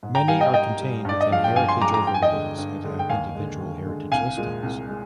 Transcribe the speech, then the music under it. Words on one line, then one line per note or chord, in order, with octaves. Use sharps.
Many are contained within heritage overlays and have individual heritage listings.
G#2
G5 A#5
G3 F5 G#5
D#5 G5
G#2 D#5 G5
G3
G2 D5
D#5
F3 G#3 F5
G5
G2 F5 G#5
G#5 C6
F3 G#3 A#5 D6
A#5 D6
G2 G5
G#5
D#5 G5
D3 G#3
G2
D3 G#3
G5
D#2 F5 G#5
D3 G#3
D#2
D3 G#3
C2 F5 G#5
A#2 G#3
C2
G#3